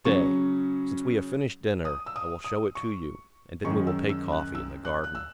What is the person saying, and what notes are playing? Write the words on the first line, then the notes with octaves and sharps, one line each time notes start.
Stay, since we have finished dinner, I will show it to you, and then we will take coffee in the garden.
C#3 F#3 C#4 C#6
D#6
E6
D#6
D#6
C#6
F#2 D#3 G#3 C#4 C#6
E6
E6
F#6
E6
F#6
F#6
E6